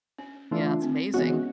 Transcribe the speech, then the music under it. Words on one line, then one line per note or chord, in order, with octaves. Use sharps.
Yeah. It's amazing.
C#4
E3 A3 D4 F4
C4
E3 G#3 B3 C#4 F#4